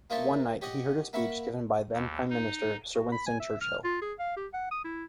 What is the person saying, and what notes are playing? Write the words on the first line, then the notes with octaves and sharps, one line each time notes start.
One night he heard a speech given by then-Prime Minister Sir Winston Churchill.
A#3 D#4 F4 C#5 E5 A5
G4 C#5 D#5 F#5
A#3 E5 F#5 B5 C#6
D#2
D#4
F#4
B5
G#5
E5
F6
F4
G#4
F5
G4
F#5
D#6
E4